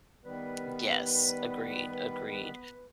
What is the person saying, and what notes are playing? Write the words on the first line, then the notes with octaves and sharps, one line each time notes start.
M yes, agreed, agreed.
D#3 G3 B3 B4